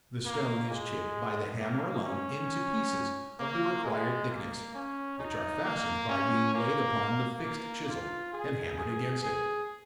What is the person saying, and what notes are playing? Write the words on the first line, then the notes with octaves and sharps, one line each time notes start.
The stone is chipped by the hammer alone into pieces of the required thickness, which are fashioned by being laid upon the fixed chisel, and hammered against it.
A#3
G#3
A#3
C#4
A#3
G#3
A#3
C#4
D#4
A#3
C#4
A#3
A#3
F4
G#4
G#4
G#4